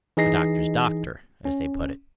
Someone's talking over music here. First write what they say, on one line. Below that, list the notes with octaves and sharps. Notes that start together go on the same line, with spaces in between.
A doctor's doctor, as they put it.
E3 D#4 G#4 D#5 A#6 C7
C#4